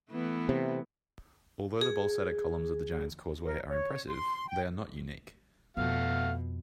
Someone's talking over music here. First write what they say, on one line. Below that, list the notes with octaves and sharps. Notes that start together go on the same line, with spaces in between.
Although the basaltic columns of the Giant's Causeway are impressive, they are not unique.
E3 A3 B3
C3
G#4
A#4
C#5
C6
G5
F2 B2 A3 F#4 F5